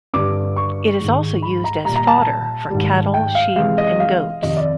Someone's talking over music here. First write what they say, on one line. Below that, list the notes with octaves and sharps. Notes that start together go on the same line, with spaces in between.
It is also used as fodder for cattle, sheep and goats.
G2 D3 G3 D6
C#6
G#2 D#3 G#3
B5
A#5
A#2 G3 A#5
A#5
A5
A5
G#2 D#3 G3
G5
F5
C3 E3 G#3 F5
D#5
F5
F2 C3 D#3 D#5
D5